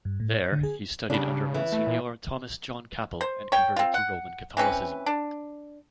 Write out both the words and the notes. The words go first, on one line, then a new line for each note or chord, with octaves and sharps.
There, he studied under Monsignor Thomas John Capel and converted to Roman Catholicism.
G2
A2
C#5
D3
G#4
C#3 G3 D4
E3
A3
A#2
C5
C#5 G5
C4 F4
F#5
E3 C4 C#4 B4
D4